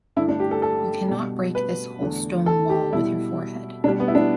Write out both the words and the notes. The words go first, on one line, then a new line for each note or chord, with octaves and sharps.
You cannot break this whole stone wall with your forehead.
G2 D3 A3 E4
D4
G4
A4
A4
B2 G3
B4
E2 D3 A3
A4
G4
B2 G3 E4
B2 G3 D4
B3
E4
D4